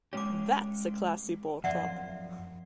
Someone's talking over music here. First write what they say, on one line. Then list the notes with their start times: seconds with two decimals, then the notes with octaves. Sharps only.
That's a classy ballclub.
0.13 G#3 C#4 G4 C#5 D6
1.64 F#2 A#2 F3 D5 E5 F#5